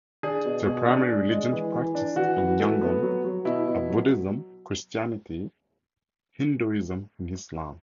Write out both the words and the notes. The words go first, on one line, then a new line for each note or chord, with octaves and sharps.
The primary religions practiced in Yangon are Buddhism, Christianity, Hinduism, and Islam.
D4 G#4
B2
B2
D4
D4
G#3
E3
E3
D4
E3 F#4
E3
A3
B3
F#3
F#3
B2 E4
B2
F#3